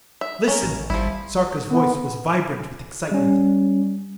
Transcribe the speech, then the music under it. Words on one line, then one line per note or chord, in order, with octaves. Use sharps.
"Listen!" Sarka's voice was vibrant with excitement.
E5
C#4 A#4
A1
G#1 F3 G3 E4
B3
G3 C#4